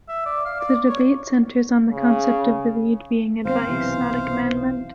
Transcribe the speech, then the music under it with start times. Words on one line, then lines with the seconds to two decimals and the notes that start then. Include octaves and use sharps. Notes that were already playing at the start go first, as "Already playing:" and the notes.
The debate centres on the concept of the Rede being advice, not a commandment.
0.09 E5
0.26 D5
0.45 F5
0.60 D5
0.89 C#5
1.91 C#3
3.45 G1 C4 C5 F5
3.69 B1 C3 E3